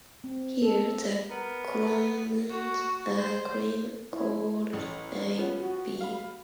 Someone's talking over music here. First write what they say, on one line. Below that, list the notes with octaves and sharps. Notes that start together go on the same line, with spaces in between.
Here, the columns are cream colored I-beams.
C4
A4
B3 A#4
F#4
C5
E4
A1
F3 B3 C#4
F#4
F5 B5